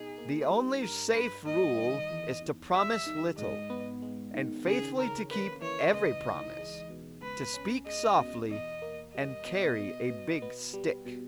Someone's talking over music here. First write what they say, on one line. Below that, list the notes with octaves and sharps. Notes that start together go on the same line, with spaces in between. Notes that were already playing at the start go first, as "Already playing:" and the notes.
The only safe rule is to promise little, and faithfully to keep every promise; to "speak softly and carry a big stick."
Already playing: B2 D#4 G#4
A#3
G3
G2 A#4
G2 B4
A#3 D#5
D#3
E2
E2
G3 E5
D#3
G#2 D#5
B3
G#3
D#3
C#3 G#4
C#4 A#4
A#3 B4
E3 C#5
C#2 D#5
D#4
G#3
B2
C#2 B4
C#4
G#3 D#5
B2
E2 D#5
A#3
G3 D#5
B2
B2
B2
B3
G3
B2